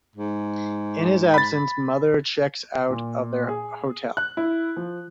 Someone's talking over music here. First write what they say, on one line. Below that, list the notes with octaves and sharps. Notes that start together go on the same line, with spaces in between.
In his absence Mother checks out of their hotel.
G#2
B5 A6
A#2
G#4
F#6
E4
F3